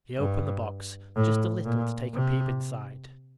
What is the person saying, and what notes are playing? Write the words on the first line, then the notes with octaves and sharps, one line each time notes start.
She opened the box just a little to take a peep inside.
G2
A2
A#2
C3